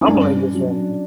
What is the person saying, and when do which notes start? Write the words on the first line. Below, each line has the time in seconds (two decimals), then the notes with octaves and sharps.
I'm a Lakers fan.
0.01 C#4
0.08 G2 D4
0.54 F#3